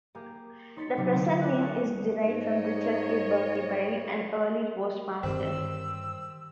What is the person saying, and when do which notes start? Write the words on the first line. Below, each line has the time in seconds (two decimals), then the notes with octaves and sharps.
The present name is derived from Richard K. Berkeybile, an early postmaster.
0.15 A#3 G4 G#4
0.76 D#4 C#5 C6 A6 B6 C#7
0.97 C3 F#3 C#4 G4 C5 F5
1.14 D3 A#3
1.41 A3 D4 G#5 F#6
1.60 G#5 A5 C#6 D#6
2.24 G#2 C#5 D#5
5.23 G2 D3 D#3 G3 C4 E6